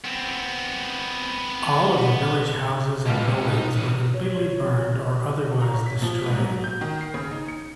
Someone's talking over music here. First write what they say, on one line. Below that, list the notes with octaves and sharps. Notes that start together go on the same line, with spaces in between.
All of the village houses and buildings were completely burned or otherwise destroyed.
B3 C4
C#2 B2 G3
G3 C#4
D#4
E3 C#4
C#5
A#5
C#5
B6
F3
G#2
F#3
G6
D#3
C7
C#3
D#4
C#7